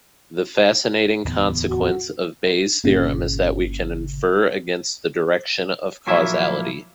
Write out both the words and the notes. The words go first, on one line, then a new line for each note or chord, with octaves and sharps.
The fascinating consequence of Bayes' theorem is that we can infer against the direction of causality.
D1 E2 B3
F#4
G1 A#2 C#3
A#2 F3 F#3 A#3 E4 E5